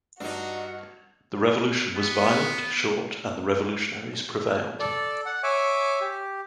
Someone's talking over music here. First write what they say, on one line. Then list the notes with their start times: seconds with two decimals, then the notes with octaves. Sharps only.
The revolution was violent, short, and the revolutionaries prevailed.
0.20 G2 D4 D#4 F#4
1.95 B3
4.80 A4 D5
5.26 F#5
5.43 C#5 E5 G#5 D6
6.01 G4